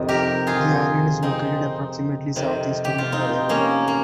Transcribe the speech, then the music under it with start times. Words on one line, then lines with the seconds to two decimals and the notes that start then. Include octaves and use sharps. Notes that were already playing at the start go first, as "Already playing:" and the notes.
The island is located approximately southeast of Mangareva.
Already playing: F2 C3 D#3 D#4
0.09 G4 A#4
0.47 F4 G#4
1.23 C4 D#4
2.36 F2 C3 D#3
2.85 G4
2.98 F4
3.12 C4 D#4
3.49 A#3 C#4
3.88 A#3